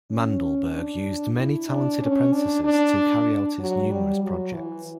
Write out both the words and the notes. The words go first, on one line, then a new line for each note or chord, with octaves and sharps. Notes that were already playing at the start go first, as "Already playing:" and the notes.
Mandelberg used many talented apprentices to carry out his numerous projects.
C#4
D4
E4
D4
C#4
D4
D4
F#3
G3
F#3
E3